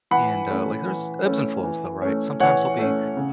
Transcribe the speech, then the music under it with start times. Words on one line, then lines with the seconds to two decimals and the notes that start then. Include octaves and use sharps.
and, uh like, there's ebbs and flows though, right? Sometimes I'll be
0.11 E3 F#5 B5
0.50 A3 C#4
0.87 E3
1.26 A3 C#4
1.63 E3
2.02 A3 C#4
2.40 E3 C#5 F#5
2.78 A3 C#4
3.17 C#3